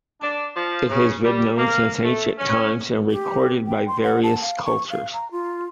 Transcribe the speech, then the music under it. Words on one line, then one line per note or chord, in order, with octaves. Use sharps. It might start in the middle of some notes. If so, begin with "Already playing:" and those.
It has been known since ancient times and recorded by various cultures.
D4
F3
C#3
G3
A#3
A3
C#4
G4
G5
C6
F#5
A5
F5
C#6
F5
A#5
F4